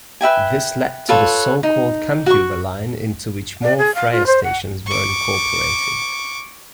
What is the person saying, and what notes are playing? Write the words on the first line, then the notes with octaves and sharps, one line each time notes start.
This led to the so-called Kammhuber Line into which more "Freya" stations were incorporated.
B4 E5 G5 G#5
F4 A4 B4 C#5
D#4
F#4 C#6
D5
G#4
F5
F4
C5
F#5
C#6 D6